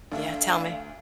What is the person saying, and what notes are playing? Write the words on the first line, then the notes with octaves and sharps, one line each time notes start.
Yeah, tell me.
D2 D4 E5 F5